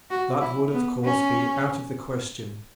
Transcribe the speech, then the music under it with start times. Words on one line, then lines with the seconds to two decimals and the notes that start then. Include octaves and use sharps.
That would, of course, be out of the question.
0.10 F#4
0.41 E4
0.73 B3
1.04 C#4